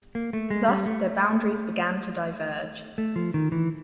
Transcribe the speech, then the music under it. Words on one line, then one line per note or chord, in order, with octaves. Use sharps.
Thus their boundaries began to diverge.
A#3
A3
G#3
G3
A3
A3
F3
D#3
E3